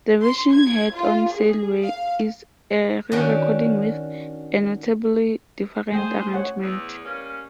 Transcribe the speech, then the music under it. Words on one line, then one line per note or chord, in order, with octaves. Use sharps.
The version heard on "Sail Away" is a re-recording with a notably different arrangement.
C6
G#6
F4
G#4
F5
D#3 C#4 D4 F#4 G5
A3 G#4 C5 G5
C#5 F#5 G#5
E2
G3 A#3 C#4